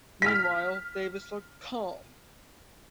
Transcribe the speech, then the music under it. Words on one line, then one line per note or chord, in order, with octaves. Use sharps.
Meanwhile, Davis looked calm.
F6 B6